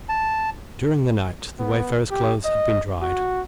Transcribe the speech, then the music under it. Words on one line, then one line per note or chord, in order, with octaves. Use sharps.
During the night the wayfarer's clothes had been dried.
A5
B3
G4
D#5
F#4